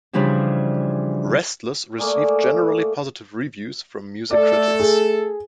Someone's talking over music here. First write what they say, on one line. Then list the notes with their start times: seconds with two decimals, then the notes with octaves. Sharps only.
Restless received generally positive reviews from music critics.
0.13 C#3 E3 F3 G3 D4
1.98 A3 A#3 G#4 D5
4.31 A3 A4 D5
4.80 G#4